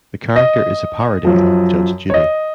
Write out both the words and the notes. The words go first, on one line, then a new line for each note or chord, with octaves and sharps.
The character is a parody of "Judge Judy".
D#5
F#2 F3
C#5
D#5